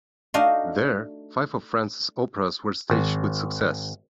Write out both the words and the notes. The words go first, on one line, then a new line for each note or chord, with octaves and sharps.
There, five of Franz's operas were staged with success.
A3 D4 D#4 F#4 D#5 F5
G#1